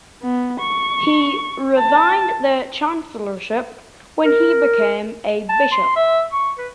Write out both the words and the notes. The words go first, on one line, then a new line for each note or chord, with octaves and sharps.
He resigned the chancellorship when he became a bishop.
B3
C#6
A5
A#4
A5
C6
E5
C#6
B4